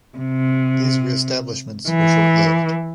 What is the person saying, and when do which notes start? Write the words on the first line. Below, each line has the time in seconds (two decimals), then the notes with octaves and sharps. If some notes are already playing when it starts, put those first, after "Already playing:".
These re-establishments were short lived.
0.18 C3
1.89 E3